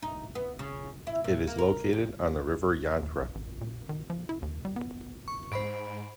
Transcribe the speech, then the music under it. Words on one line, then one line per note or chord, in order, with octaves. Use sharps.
It is located on the river Yantra.
D#4
B3
C#3
E4
A#2
A#3
A#4
F2
D#2
B1
A1
A#2
D#3
F3
E4
D#2
G3
B3
C#6
G#2 C5 B5 D7